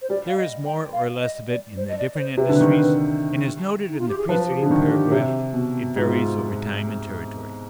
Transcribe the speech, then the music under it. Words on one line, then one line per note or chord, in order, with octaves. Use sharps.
There is more or less of it in the different industries, and, as noted in the preceding paragraph, it varies over time and territory.
C5
G3 D5
F5
D#5
G5
F5
D#5
D5
C5
D#5
D5
D5
C5
C3 B4
D3
D#3
D#4
F4
G4
G#4
F3 B4
G4
G#4
D3
D#3
G4
C3
B2
G#2 F4